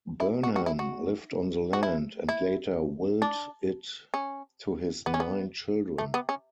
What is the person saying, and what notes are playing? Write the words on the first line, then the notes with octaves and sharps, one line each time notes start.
Burnham lived on the land and later willed it to his nine children.
E4
F#4
F#4
E4
F#4
F#4
E4
E4
D4
C#4
B3
C#4
B3
A3
B3
C#4